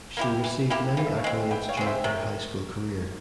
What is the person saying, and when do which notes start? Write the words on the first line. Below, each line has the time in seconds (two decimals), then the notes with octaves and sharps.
She received many accolades during her high school career.
0.17 A#3 E4 G4
0.44 E3
0.70 A#3 E4 G4
0.97 E3 F5
1.07 E5
1.16 C#5 F5
1.24 G#3 C4
1.51 E3 E5 G5
1.69 C#5 F5
1.77 G#3 C4
1.86 C5 E5
2.04 C3 A#4 C#5